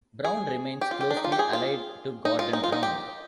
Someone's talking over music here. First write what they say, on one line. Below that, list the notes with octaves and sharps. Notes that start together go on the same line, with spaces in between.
Brown remains closely allied to Gordon Brown.
G#4
G4
F4
G4
D4
D#4
F4
G4
G#4
F4
D#4
F4
D#4
F4
D#4
G4